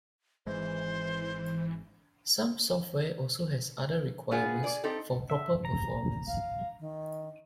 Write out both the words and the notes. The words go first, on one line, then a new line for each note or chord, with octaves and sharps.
Some software also has other requirements for proper performance.
G#1 E3 G#3 C5
G#3 B3 F4 G#4
G#4 D5
C4 D#4 G4 A4
E5
A#5
F5
D#3